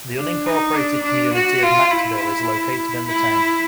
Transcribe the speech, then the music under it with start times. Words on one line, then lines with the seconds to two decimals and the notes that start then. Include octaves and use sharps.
The unincorporated community of Maxville is located in the town.
0.17 D4
0.46 D#4
0.75 D4
1.03 D4
1.34 F#4
1.63 F4
1.91 E4
3.07 E4